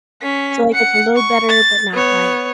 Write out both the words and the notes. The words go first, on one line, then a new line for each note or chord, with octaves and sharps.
So, like, it's a little better, but not, like,
C#4 B6
F#5 C#7
C#6
A6
B3 C#5